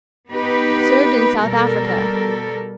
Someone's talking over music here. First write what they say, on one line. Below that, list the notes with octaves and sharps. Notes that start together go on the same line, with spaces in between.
Served in South Africa.
B3 D#4 G4 B4
B2 G3 A4 A#4